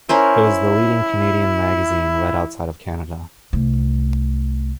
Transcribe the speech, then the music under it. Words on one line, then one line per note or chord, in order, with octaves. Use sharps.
It was the leading Canadian magazine read outside of Canada.
C#4 E4 A#4 C5
C2 A3